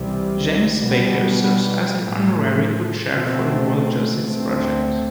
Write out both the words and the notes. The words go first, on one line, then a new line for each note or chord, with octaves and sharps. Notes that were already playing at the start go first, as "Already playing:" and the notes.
James Baker serves as an Honorary Co-Chair for the World Justice Project.
Already playing: C2 C3 E3 G3
B2 G3 B3
A2 F3 A3
B2 A3 C4
D2 D3 A3 C4